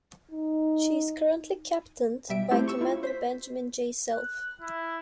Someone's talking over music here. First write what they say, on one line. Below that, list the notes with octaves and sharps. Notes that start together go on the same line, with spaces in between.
She is currently captained by Commander Benjamin J. Selph.
D#4
B2 G3 E5 D7
A3 C4 E4 G4
C#6 E6
E4 F4
C5 B6
F#6
E4